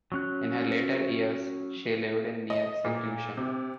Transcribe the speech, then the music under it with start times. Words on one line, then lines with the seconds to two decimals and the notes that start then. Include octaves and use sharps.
In her later years she lived in near seclusion.
0.12 F#3 C#4 F#6
2.50 D#5
2.84 A#2
3.37 C3